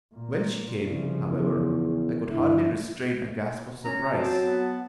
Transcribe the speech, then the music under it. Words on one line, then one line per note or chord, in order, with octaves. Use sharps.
When she came, however, I could hardly restrain a gasp of surprise.
A#2
C2 C#3 F3
E2
G2 D3 E4
C#4 A#5
F#3 C4 A5
B3